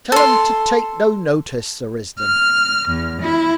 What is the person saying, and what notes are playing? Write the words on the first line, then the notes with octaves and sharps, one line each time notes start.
Tell 'em to take no notice, Sir Risdon.
A4 C6
F6
E2
E4